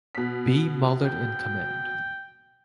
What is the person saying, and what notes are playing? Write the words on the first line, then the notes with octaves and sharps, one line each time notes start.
B. Mallard in command.
B2 B6
G5